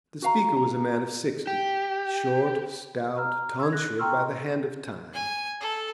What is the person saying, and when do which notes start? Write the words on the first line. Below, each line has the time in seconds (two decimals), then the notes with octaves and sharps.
The speaker was a man of sixty, short, stout, tonsured by the hand of time.
0.22 F#4 F5 A#5
0.57 A#5
1.47 G4
3.17 A#5 E6 F6
3.59 E6 G#6
3.72 F#6 A#6
3.99 G5 A#5 C6 C#6 E6 F6
5.14 G#5
5.60 A4